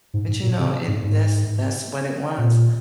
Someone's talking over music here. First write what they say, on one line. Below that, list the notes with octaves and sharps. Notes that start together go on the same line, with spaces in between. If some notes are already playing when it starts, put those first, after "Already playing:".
But, you know, and that's that's what it was,
G#2
G#2
A#2
C3
G#2
G#2
A#2